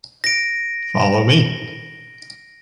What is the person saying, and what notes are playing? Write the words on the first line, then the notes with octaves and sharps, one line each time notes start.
Follow me.
A#6 D7